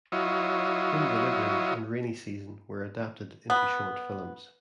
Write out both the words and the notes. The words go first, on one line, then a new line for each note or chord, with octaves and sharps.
"Home Delivery" and "Rainy Season" were adapted into short films.
F#3 E4 F4 C#5 D#5
B3